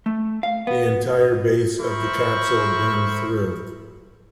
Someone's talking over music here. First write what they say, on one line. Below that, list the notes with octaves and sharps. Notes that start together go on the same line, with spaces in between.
The entire base of the capsule burned through.
A3
F5
B3
A#4 C5 E5 B5 C#6